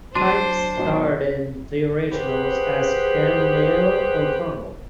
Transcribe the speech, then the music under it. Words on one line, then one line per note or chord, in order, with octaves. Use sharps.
Pipes starred in "The Originals" as Camille O'Connell.
F#3 D4 C5 C6 D#7
B1 B2
G4 G#4 B4 C5 F#5